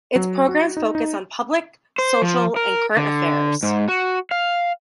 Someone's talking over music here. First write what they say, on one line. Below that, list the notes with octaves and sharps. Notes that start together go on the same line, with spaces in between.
Its programs focus on public, social and current affairs.
F#3
F#4
D#4
D#4
C5
F3
A#4
D3
G#2
F#4
F5